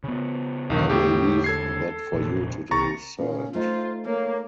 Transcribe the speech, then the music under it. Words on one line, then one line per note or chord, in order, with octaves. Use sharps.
I will leave that for you to decide.
C#3 B3
B1 E2 D3 D#3
A2 G4
A4 G#6 C7
F1 A#1
C2 A#5 C#6 A6
A#2 C#4
A3 D#4 F4 C5
A#3 C#5